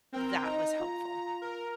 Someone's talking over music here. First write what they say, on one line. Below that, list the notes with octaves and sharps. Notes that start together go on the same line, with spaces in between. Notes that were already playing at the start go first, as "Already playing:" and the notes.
that was helpful.
C4 A#4 G5
D#4 A#5
F4
A#4